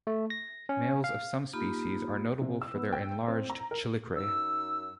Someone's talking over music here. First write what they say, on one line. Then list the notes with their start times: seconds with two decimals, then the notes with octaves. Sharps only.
Males of some species are notable for their enlarged chelicerae.
0.07 A3
0.30 A#6
0.69 C#4
1.04 F5
1.53 A#3 D#4 F4 G4 B5
2.42 C3
2.62 E6
2.75 B3
2.93 G5
3.28 C4
3.50 A#5
3.71 A#4
4.16 F#2 D#4 E6